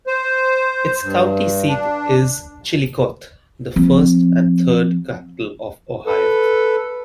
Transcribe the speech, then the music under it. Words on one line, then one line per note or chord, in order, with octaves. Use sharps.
Its county seat is Chillicothe, the first and third capital of Ohio.
C5
G2
D4
F3 C4
A4 B4